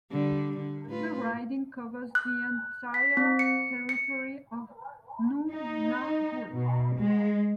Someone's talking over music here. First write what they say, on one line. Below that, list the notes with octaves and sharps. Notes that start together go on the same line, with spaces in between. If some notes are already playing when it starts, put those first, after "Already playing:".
The riding covers the entire territory of Nunavut.
D3 G3
D3
A2 F4 B4
F#6
B6
C4
C#7
C#7
D#4
B2
G#3